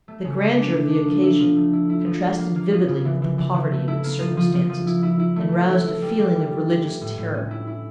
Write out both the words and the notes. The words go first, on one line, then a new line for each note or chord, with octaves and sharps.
The grandeur of the occasion contrasted vividly with the poverty of its circumstances, and roused a feeling of religious terror.
A3
C#3
A3
D4
A3
D4
F3
E4
F3
A3
E4
E4
F3
A#3
A#3
A#3
F3
C#3
E3
E3
E3
E3
A3
E4
A#3
F3
F3
F3
F3
E4
E4
E4
A3
E3
E4
E4
G3
G3
E3
G3
E3
E3
A2
A2
C#4
E4
E4